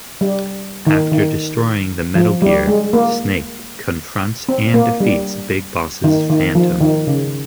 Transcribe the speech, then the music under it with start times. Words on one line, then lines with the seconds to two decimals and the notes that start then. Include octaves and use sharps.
After destroying the Metal Gear, Snake confronts and defeats Big Boss's phantom.
0.21 G3
0.87 D#3
1.12 D#3
2.15 F3
2.42 G3
2.67 G#3
2.93 A#3
4.49 C4
4.74 A#3
5.00 G3
6.04 D#3
6.30 D#3
6.55 F3
6.81 D#3
7.07 C#3